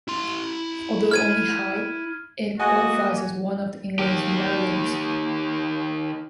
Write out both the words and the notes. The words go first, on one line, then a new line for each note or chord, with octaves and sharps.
Although only high, it qualifies as one of England's Marilyns.
E4 C6
F6 G#6 D#7
A#3 F#4 G#4 D#5 F#5 G#5
D#3 G4